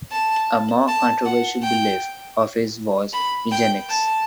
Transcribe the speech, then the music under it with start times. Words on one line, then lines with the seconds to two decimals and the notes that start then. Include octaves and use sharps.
A more controversial belief of his was eugenics.
0.12 A5
0.88 A5
1.25 F#5
1.63 G5
3.13 B5
3.52 G5
3.90 A5